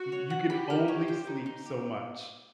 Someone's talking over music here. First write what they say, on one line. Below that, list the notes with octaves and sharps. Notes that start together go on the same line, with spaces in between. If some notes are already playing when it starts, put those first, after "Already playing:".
Y you can only sleep so much,
Already playing: F#4
C#5
F#5
G4 B5
A#4
C#5
C5
D#4
D#4
G4